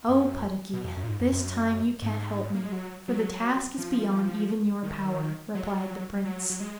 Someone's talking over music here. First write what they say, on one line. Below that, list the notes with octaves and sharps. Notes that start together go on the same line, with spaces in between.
'Oh, Puddocky, this time you can't help me, for the task is beyond even your power,' replied the Prince.
F#2
B2
F2
F#2
A#2
G#2
F2
F#2
G#2
A#3
G#3
F#3
F#3
F3
D#3
F#3
F#3
F#3
G#3